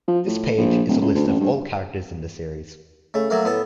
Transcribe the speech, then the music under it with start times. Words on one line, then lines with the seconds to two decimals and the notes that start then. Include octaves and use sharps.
This page is a list of all characters in the series.
0.08 F3
0.27 A2
0.58 A#1
0.89 D1
1.01 C#2
1.15 D2
1.27 A1
1.40 G2
3.14 C#3 A3
3.30 F#3 A3 A#3 F5
3.45 A2 B3 A4